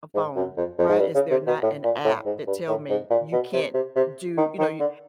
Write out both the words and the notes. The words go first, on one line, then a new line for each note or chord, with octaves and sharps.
a phone. Why is there not an app that tell me, 'You can't do'" you know, y
G#2
F#2
F2
F2
G#2
G2
C#3
C3
B2
A2
A#2
A2
G#2
G2
A2
G#2
A#2
B2
C3
C3
C3
D#3
D#3
D3